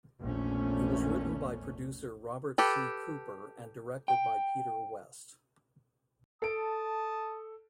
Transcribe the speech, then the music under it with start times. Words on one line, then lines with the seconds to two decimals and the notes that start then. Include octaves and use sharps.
It was written by producer Robert C. Cooper and directed by Peter Woeste.
0.21 A#1 E2 A3 C#4
2.58 G4 A4 B4
4.08 G5
6.42 A4 A5 D#6 D7